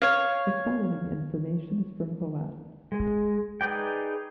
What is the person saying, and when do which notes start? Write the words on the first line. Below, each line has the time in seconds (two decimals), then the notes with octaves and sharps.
The following information is from Howat.
0.02 C#5 F5
2.92 G#3
3.61 D#4 G#4 B4 D5 G5